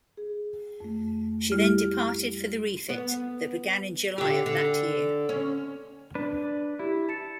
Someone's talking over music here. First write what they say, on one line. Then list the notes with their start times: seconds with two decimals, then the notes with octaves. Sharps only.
She then departed for the refit that began in July of that year.
0.17 G#4
0.81 F2 A3
1.52 G3 E4 G4 F6
2.89 B3
4.18 D3 G4
4.46 D3
5.29 C#4
6.15 D4 B4
6.79 E4 G4
7.09 A5 A6 C#7